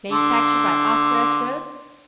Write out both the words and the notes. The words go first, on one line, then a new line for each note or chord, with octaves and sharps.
Manufactured by OSCAR S. RHOADS.
D3 C6